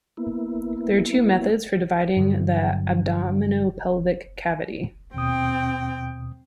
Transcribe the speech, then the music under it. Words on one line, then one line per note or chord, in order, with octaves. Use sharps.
There are two methods for dividing the abdominopelvic cavity.
A#3 B3 E4
G2 D3 F#3
D#2 B2 C4 G5 D#6